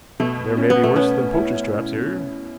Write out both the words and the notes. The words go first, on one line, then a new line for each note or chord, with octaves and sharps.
"There may be worse than poachers' traps here."
B2 A3
C#4
B3
A3
B3 C#4
E4